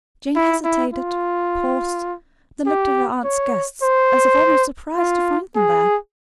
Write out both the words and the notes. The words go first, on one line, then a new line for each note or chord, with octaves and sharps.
Jane hesitated, paused, looked at her aunt's guests as if almost surprised to find them there.
E4
E4
F4
G4
C#5
C5
F4
G#4